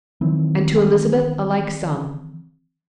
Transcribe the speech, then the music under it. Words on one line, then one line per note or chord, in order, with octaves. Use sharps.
"And to Elizabeth a like sum."
D#3 E3 F#3 C4